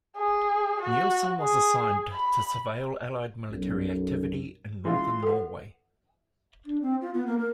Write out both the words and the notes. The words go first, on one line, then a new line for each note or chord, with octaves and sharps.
Nilsen was assigned to surveil allied military activity in northern Norway.
G#4
F#4
G#4
B5
B1 F#2
E3 G#3 F4 C6
A4 B4 F#5
D4
C4
F4
B3
A#3
A#4